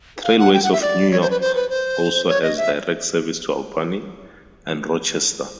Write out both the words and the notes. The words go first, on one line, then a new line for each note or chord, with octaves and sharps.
Trailways of New York also has direct service to Albany and Rochester.
F5
F#5
G5
F#5
E5
D5
C#5
C5
B4
C5
B4
C5
C#5
D#5
E5